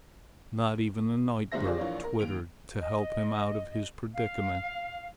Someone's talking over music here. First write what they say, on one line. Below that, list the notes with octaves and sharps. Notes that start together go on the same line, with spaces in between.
Not even a night bird twittered to help him out of his predicament.
C#2 F#2 D3 C5 E5 A#6
F4 G4 G#4 C5 D5
A#1 E3 A#3 F4 C#5 D5
A#4
D#2 D7 F7
D#5
F5